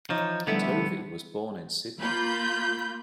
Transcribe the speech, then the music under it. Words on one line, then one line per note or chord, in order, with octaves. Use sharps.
Tovey was born in Sydney.
E3 F3 D#4 C#5
D3 F3 G3 A3 B3 E4 E5
A#3 F4 B5 G6